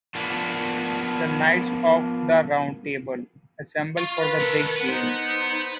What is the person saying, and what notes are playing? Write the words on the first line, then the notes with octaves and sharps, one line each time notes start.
The Knights of the Round Table assemble for the big game.
F3 A#3 B3 D4
F4 C#6
B4
D#3 A4 A#4
B4 F#5 D7
D#4 C5
C5